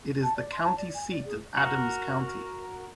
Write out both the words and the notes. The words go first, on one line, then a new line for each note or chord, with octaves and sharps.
It is the county seat of Adams County.
A5
D5
C6
A5
D5
G#5
D5
G#4
F#4 A#4